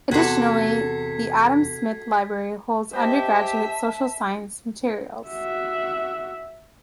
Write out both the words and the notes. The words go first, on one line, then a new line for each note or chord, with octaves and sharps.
Additionally, the Adam Smith library holds undergraduate social science materials.
E2 C3 F#4 A4 G#6 B6 C7
G4 C5 D#5 E5 A5
F#4 E5